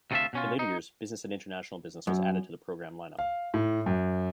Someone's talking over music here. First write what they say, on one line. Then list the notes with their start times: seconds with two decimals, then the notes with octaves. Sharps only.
In later years, Business and International Business was added to the program line-up.
0.11 D2 C3 A3 C4 F4 E5
0.33 B2 C#4 F4
0.59 D#4
2.07 F#2
3.19 F5
3.54 A2
3.86 F#2